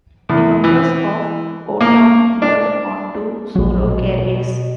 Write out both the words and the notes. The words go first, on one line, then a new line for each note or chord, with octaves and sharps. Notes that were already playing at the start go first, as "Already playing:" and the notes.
The members of O-Town moved on to solo careers.
E2
E3
A#3
D4
A#1 F#3
B2